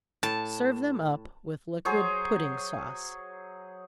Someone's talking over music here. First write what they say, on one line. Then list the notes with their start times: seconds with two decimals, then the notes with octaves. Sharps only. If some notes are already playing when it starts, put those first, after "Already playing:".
Serve them up with liquid pudding sauce.
0.23 A2 A5
1.85 F#3 G#4 C5 C#5